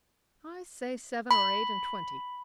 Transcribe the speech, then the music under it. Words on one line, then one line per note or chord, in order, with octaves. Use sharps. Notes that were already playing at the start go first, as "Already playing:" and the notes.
I say, seven or eight and twenty.
B5